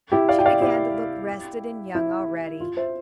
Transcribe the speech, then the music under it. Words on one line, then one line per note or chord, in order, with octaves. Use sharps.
She began to look rested and young already.
E4 G4
D5 F5
G5
D5 F5
E4 G4
E4
F4
C5 E5